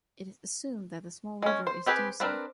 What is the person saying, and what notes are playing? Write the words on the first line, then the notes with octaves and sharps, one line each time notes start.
It is assumed that the small river is Dusa.
G#3 C#4
C5
C4 G4 G#4 B4
B3 C4 D4 A#4 B4